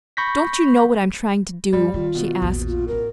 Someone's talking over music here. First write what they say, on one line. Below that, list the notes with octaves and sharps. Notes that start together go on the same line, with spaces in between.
"Don't you know what I'm trying to do?" she asked.
B5 C#6 G6 A#6 B6
F#2 G3
D#3 F4
B2
A#1 E2
F4
A1 C#4 A#4